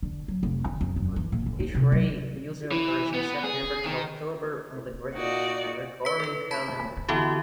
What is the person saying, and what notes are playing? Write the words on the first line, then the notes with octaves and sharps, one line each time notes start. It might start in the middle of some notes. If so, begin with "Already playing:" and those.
Tishrei usually occurs in September-October on the Gregorian calendar.
D3
F#3
F1
D3
F2
F#2
E3
A#2
D3
D#4
C3
F#3
E3
B3
G#4
D#3
A#2 D#4 F#4 D5
B4 B6
A4 B4
A5 B5 B6
D3 E3 B3 E4 F#4 G4